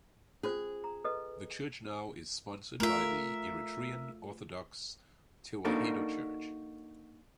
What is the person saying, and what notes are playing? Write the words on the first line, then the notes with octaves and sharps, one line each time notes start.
The church now is sponsored by the Eritrean Orthodox Tewahedo Church.
C#4 F4 G#4 C5
A#5
A4 B4 D#5
A3 F4 A#4 E5
A#3 D4 D#4 F#4 A4 A#4